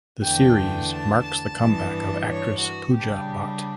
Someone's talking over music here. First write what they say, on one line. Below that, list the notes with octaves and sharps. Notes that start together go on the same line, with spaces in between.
The series marks the comeback of actress Pooja Bhatt.
E2 D3 A3 D4 G5
A5
A5
G2 E3 B3 D4
C#5
F#4
C#3 G3 D4 G4